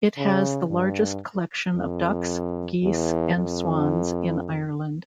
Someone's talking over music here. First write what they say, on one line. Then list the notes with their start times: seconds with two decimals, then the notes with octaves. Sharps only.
It has the largest collection of ducks, geese and swans in Ireland.
0.18 C#3
0.71 G2
1.76 F2
2.82 E2
3.35 F2